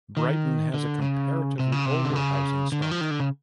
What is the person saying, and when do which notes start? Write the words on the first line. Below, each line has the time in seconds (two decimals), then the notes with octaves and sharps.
Brighton has a comparatively older housing stock.
0.17 D#3
0.74 D3
1.02 C#3
1.59 C3
1.72 C#3
1.86 C3
2.05 D3
2.16 C#3
2.72 D3
2.82 D#3
2.91 F3
3.01 D#3
3.11 D3
3.20 C#3